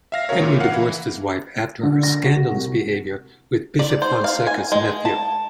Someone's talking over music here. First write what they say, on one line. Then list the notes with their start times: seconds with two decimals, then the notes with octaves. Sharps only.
Henry divorced his wife after her scandalous behavior with Bishop Fonseca's nephew.
0.12 E5 F5 A#6
0.29 C#3 F#4 A#4 C#5
0.42 A#2 E3
0.60 A#4 F5 F#5
0.72 E3 E4
1.83 D3
2.03 A#6
2.24 F#4
2.51 C2
3.79 D5
4.02 C5
4.24 F5
4.47 G#5
4.72 G#3
5.05 A5